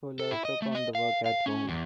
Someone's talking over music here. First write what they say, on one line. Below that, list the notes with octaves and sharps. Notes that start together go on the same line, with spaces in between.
Fuller took on the work at home.
A4
E4
D#5
A3
D#5
F5
F5
C#4
E2